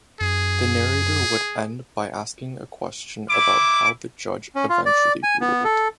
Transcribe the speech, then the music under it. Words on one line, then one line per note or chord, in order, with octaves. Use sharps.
The narrator would end by asking a question about how the judge eventually ruled.
F#2 G#4
E4 D6
C#4
F4
D5
G#5
B3
A4